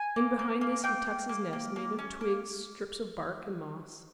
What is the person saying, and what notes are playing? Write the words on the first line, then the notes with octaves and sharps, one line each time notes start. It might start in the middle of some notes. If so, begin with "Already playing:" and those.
In behind this he tucks his nest made of twigs, strips of bark and moss.
Already playing: G#5
A#3
A#3
A#3
A#3 G5
A#3
A#3
A#3
A#3
C#4
A#3